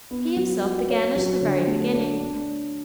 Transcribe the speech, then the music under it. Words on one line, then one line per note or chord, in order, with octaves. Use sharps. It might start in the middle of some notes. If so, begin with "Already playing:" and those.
He himself began at the very beginning.
B3
F#3
F#4
C#5
F#3
D3
A3
D4
D4